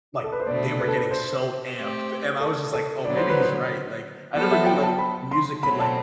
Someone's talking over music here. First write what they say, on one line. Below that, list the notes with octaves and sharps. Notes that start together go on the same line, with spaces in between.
like they were getting so amped and I was just like, "Oh maybe he's right," like I never knew like music could like
A4
B4
C5
B2 A3 D4 D5
B4
A4
B4
C5
A3 C4 G4
A4
A4
D3 F#3 B3 D5
C5
B4
C5
F#3 B3 F#4 A4 C5 D5
E5
G5
A5
B5
C6
B2 F#3 A3 C4 B5
A5